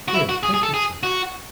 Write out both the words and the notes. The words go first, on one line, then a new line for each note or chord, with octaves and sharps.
Here, take your chair.'
F#4
E4
F#4
G#4
G#4
A4
G#4
F#4